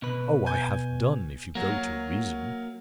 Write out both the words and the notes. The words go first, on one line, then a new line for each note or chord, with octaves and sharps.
Oh, I have done if you go to reason!
B2 B4
G#5 G6
F#3 A#3 F#4 A#4